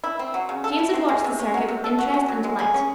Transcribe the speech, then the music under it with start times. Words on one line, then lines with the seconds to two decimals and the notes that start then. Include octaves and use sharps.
James had watched the circuit with interest and delight.
0.04 E4
0.19 C4
0.34 F#3
0.49 C#3
0.64 A4
0.79 E4
0.93 C4
1.08 G#3
1.24 C3
1.39 C#4
1.54 F#3
1.69 C3
1.84 A4
1.98 F#4
2.14 C#4
2.28 F#3
2.44 G#3
2.59 G#4
2.74 C#4